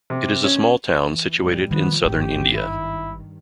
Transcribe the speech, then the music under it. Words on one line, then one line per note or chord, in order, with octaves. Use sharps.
It is a small town situated in southern India.
C3
C#4
E3
F1 A2 G3
A#1 D#3 F3 G3 B3
G#1 G2 D#3 D#4 G4
E4